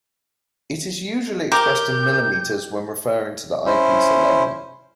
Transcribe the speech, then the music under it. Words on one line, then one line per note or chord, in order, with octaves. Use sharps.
It is usually expressed in millimetres when referring to the eyepiece alone.
G4 A#4 G6
C#4 E4 C5